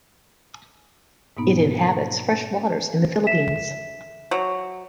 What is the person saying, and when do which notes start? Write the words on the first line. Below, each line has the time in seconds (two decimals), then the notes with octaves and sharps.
It inhabits freshwaters in the Philippines.
1.37 G#2 B2 A#3 B3 D#4
3.27 E5 B6 E7
4.31 F#3